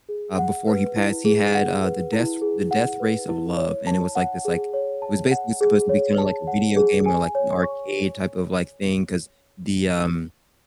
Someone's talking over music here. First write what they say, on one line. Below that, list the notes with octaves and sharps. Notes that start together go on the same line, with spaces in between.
uh before he passed, he had, uh, The Death The Death Race of Love, and it was like this, like it was basically supposed to be kinda like a video game or like an arcade type of, like, thing, 'cause the, um
G#4
F#5
B4
E4
G#4
F#5
B4
E4
G#4
F#5
B4
E4
C#5
A5
F#5
G#4
C#5
A5
F#5
G#4
C#5
A5
F#5
G#4
G#5
C#5
C#6